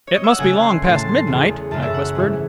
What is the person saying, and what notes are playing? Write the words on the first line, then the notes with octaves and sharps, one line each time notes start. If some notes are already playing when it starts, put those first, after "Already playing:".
"It must be long past midnight," I whispered.
C#5
D#5
E5
F#5
C#2 C#3 F#3 A3 G#5
C6
A2 E3 A3 C6
A5
C6
E2 C#3 G#3
F#2 C#3 G#3 A5
E5
F#5
G#2 E3 A3